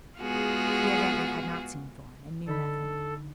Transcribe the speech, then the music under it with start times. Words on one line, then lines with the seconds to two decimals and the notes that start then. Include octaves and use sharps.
"He evidently had not seen Thorn, and knew nothing."
0.19 G#3 B3 F4 F#4 G#4
2.47 D3 D#4 A4 B5